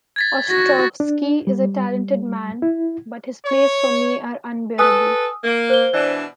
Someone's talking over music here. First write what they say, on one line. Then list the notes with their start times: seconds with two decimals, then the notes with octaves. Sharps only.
Ostrovsky is a talented man, but his plays for me are unbearable.
0.16 G#6 A6 B6
0.50 F#4 A#6
1.00 D4
1.47 G3
2.62 E4
3.45 C#5
4.79 A4 B4 G#5 D#6 E6
5.44 A#3
5.70 C5 G7
5.93 B2 E3 D4